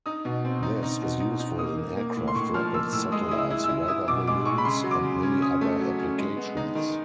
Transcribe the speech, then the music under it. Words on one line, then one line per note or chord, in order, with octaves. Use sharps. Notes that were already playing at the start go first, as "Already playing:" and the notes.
This is useful in aircraft, rockets, satellites, weather balloons, and many other applications.
D#4 D#6
B2
C4
D#4
D#4
B2
D#4
D#4
A#3 D#6
A#3
A#3
A2
C6
A2 C#6
F3 F6
A#3 E6
A2 E6
G#3 D#6
E4 D#6
E6
E4
E6
E4
E4 D#6
B2 D6
G#3 D6
G#3 C#6
B5
C#3 C6
F#3
D6
C#3
C#4
C#4 D#6
A3
F#3
C#4
G#3
B3
D#4
D#3